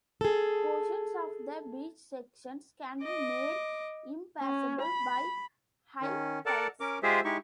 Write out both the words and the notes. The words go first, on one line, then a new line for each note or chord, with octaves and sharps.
Portions of the beach sections can be made impassable by high tides.
G#4 A4
D#5 D6
C#4
B5
D#3 C#4
A4 A#4 D5 F#5 A5
C#4 A#4 D6
G#3 F4 G4 G#4 C5 E5
G#3 D#4 E4 G4 C#6